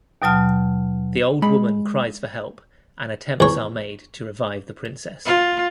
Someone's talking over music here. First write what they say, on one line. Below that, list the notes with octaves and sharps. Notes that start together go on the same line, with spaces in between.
The old woman cries for help and attempts are made to revive the princess.
D#2 B2 F#3 A5 F6
G#3 B5
E2 C#5
F4